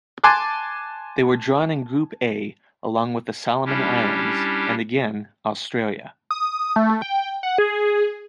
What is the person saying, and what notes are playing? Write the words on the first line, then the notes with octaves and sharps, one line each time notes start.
They were drawn in Group A along with the Solomon Islands, and again, Australia.
G#5 A5 C6 D6 F#6
G3 C#4 D4 E4 G4
D#6
A3
G5
F#5
G#4